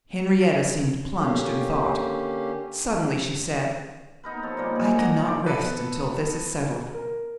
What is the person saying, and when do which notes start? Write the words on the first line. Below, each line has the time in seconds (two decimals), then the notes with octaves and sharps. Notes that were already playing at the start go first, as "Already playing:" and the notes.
Henrietta seemed plunged in thought. Suddenly she said, 'I cannot rest until this is settled.
1.18 D3 A#3 C#4 G4
4.23 B3 D#4 A#4 B4
4.43 F3 A4 C#5
4.57 A#2 D#3 G3 A#3
4.76 G#4
4.98 D4 C#5 F#5 A#5
5.24 D4 D#4 C5 D5
5.46 B3 A4 B4
6.94 A#4